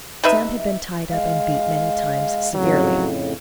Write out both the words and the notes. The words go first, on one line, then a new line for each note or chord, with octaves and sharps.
Sam had been tied up and beat many times severely.
C3 D#4 B4 E5
G#3 F5
F2 A2 C#3 F#3